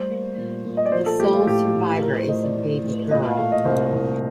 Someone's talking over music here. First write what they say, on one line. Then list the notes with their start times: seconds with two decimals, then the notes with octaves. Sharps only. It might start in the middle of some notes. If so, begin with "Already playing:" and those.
The sole survivor is a baby girl.
Already playing: G3 A3 C5
0.11 A#3
0.37 A#2
0.65 A#2
0.77 D#5
0.86 D5
0.92 F3 C5
1.06 A4
1.19 A3 G4
1.33 F4
1.46 A2 G4
1.75 A2
2.02 F3 A#4
2.16 C5
2.29 A3 D#5
2.43 D5
2.56 A2
2.84 A2
3.11 A#2 D#5
3.25 F5
3.37 A3 F5
3.52 D#5
3.65 C2 C5
3.93 C2